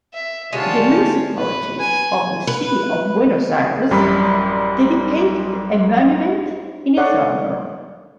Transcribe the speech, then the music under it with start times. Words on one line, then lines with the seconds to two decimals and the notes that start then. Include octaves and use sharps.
The municipality of the City of Buenos Aires dedicated a monument in his honor.
0.14 E5
0.53 G#2 D3 G#3 F4 G4 C#5 D5 A5
1.38 B4
1.79 G#5
2.47 B4
3.91 A1 F#2 G3 G4 D5 B5
6.97 A4 C#5 D5 F#5